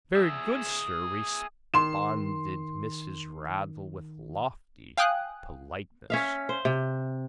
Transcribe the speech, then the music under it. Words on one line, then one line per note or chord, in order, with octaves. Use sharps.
'Very good, Sir,' responded Mrs. Raddle, with lofty politeness.
G#4 E5
D#3 C6 E7
F5 G5 G#5 D#6 F#6
C#4 E5 F5
C5
C3